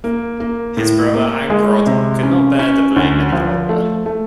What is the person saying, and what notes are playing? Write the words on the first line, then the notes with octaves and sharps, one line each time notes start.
His brother Angrod could not bear the blame any longer.
A#3
A#3
A2
A#3
G#3
C3
C#4
C#4
D2
F3
A3
A3